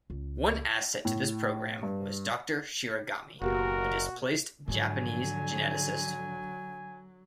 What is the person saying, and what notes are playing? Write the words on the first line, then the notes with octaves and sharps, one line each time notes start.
One asset to this program was Doctor Shiragami, a displaced Japanese geneticist.
C#2
A2
G2
F#1 B2 A#3 F#4 G4 A#4
G#2 D3 F3 F#3 G#5